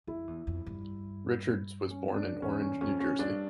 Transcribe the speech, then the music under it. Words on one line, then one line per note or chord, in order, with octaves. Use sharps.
Richards was born in Orange, New Jersey.
F2 E4
E2
F2
G2
C#4
D4
E2 C#4
C#4
F2 C#4
C#4
G2 D4